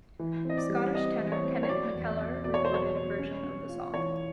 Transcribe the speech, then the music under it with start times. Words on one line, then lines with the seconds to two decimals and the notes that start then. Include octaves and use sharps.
Scottish tenor Kenneth McKellar recorded a version of the song.
0.19 E3
0.45 C4 D#5
0.57 D5
0.69 G3
0.95 C4 D#5
1.20 E3
1.32 C#5
1.44 C4
1.63 C#5
1.69 F#3 D5
1.95 E2
2.20 B2
2.44 B2 D5
2.54 C#5
2.65 C5
2.70 F#3 C#5
2.94 B2
3.19 C#4
3.44 C#4
3.69 F4
3.94 E3 C#5